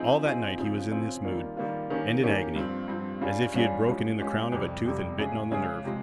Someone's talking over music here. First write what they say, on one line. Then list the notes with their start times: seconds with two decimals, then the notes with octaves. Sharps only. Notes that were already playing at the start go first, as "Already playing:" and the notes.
All that night he was in this mood, and in agony, as if he had broken in the crown of a tooth and bitten on the nerve.
Already playing: F3 C4 D#4 G#4
0.26 F3 C4 D#4 G#4
0.58 C#3 F3 C4
0.91 C#3 F3 C4
1.24 D#3 G3 A#3 F4
1.57 D#3 G3 A#3 F4
1.90 D#3 A#3 C#4 G4
2.23 D#3 A#3 C#4 G4
2.56 G2 F3 C4
2.88 G2 F3 C4
3.21 G2 G3 C#4 F4 G#4
3.54 G2 G3 C#4 F4 G#4
3.87 F3 G#3 C#4 G4
4.20 F3 G#3 C#4 G4
4.52 F2 C3 G3
4.86 F2 C3 G3
5.19 C#3 G#3 C#4 G#4
5.51 C#3 G#3 C#4 G#4
5.84 C3 F3 G#3